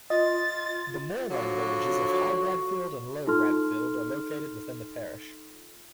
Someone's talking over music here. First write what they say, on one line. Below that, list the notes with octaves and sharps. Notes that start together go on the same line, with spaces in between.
The moorland villages of High Bradfield and Low Bradfield are located within the parish.
F4 D#5 A6
D3 F3 F#3 F#4
D#4 F4 A4 C6 F6